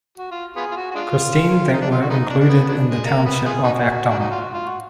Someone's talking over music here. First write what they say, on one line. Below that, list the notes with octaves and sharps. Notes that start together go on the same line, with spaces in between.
Christine that were included in the township of Acton.
F#4
F4
B3 F4 G#4
F4
F#4
F#4
G#3 D4 F4
D#4
D4
F4
F#4
G#3 B3 D#4
D4
D4
B3
F#3 B3 D4
G#3
A#3
B3
B3 F4 G#4
B3 D#4 F#4
D4
D#4
F4
F#4
F4
F#4